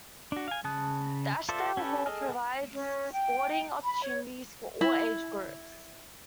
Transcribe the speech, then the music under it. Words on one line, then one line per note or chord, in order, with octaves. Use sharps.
The Ashdale Hall provides sporting opportunities for all age groups.
D4 F#4
F5 G#5
C#3 A5 D#6 F#6
F4 A4 C5 D5 E5
C#4 G4 A4 B4
G#4 A4 D#5 G#5 F6
C#4
G5
B5
C#5
E4